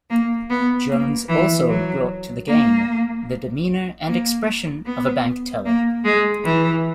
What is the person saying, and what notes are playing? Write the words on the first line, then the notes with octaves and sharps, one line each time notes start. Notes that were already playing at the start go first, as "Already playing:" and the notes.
Jones also brought to the game the demeanor and expression of a bank teller.
A#3
B3
A#3
E3
F#3
A#3
A#3
B3
A#3
G#3
E3